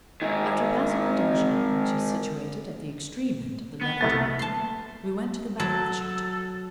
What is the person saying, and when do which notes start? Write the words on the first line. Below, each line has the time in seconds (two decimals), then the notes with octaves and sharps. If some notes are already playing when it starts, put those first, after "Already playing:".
After passing the donjon, which is situated at the extreme end of the left wing, we went to the back of the chateau.
0.22 G#2 D#3
3.81 B3
4.01 C2 A3 A6
4.39 A5 C6
5.60 F#3 A4